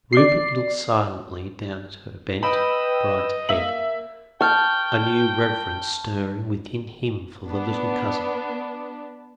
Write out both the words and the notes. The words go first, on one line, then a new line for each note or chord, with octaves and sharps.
Rupert looked silently down at her bent, bright head, a new reverence stirring within him for the little cousin.
D5 C7
B4 D#5 G5 B5 E6
A#3 E5 F#7
G5 A5 C#6 F6 G6
B3 D4